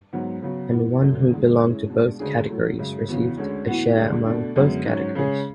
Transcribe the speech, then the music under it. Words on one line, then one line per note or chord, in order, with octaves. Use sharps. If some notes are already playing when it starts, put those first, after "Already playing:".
And one who belonged to both categories received a share among both categories.
G#2 F#3 B3
C#3 F#3 B3 F#4
A2 E3 B3
F#2 D3 A3
E2 D3 G#3
A2 G#3 C#4 E4
B2 G#3 D4
D2 C#3 G#3 D4 G#4
A2 F#3 A3
F#2 C#3 G#3
E2 C#3 E3 B3 F#4
D2 D3 G#3 C#4
A2 E3 B3 F#4
D2 D3 G#3 D4
B2 A3 D4
F#2 D3 G#3 B3
G#2 F#3 C#4
C#3 G#3 C#4 G#4